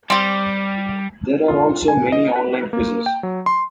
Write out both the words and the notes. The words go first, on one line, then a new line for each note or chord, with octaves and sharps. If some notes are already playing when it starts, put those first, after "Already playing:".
There are also many online quizzes.
G3 C4 G4
F4
G#5
D#5
B4
A#3
G5
F#3
C6